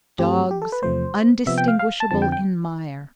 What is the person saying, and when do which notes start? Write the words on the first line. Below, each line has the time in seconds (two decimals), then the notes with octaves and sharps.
Dogs, undistinguishable in mire.
0.19 G2 F3 A3 C4 G4
0.51 G4
0.62 A4
0.72 B4
0.82 E2 C3 F3 A3 C5
1.46 C3 F3 B3 E5
1.58 G5
1.68 F5
1.79 F5
2.00 A5
2.11 F2 D3 F3 C4 A5
2.22 G5
2.32 G5